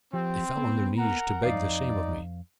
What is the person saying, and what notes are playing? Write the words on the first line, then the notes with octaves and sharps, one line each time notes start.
They fell on their knees to beg the same of me.
F3 C4 G4
B3
A#4 F#5 A#5
F2 D#4 D5 F5